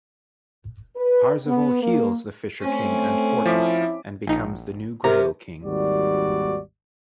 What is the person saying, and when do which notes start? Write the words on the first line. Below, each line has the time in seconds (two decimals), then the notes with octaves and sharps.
Parzival heals the Fisher King Anfortas and becomes the new Grail King.
0.96 B4
1.47 B3
1.83 A#3
2.61 A3 C4 C#4
3.46 F3 E4 D6 B6
4.27 A#1 D#4
5.04 C3 G4 A#4 A#5
5.64 G#1 D#2 G3 F#4 D5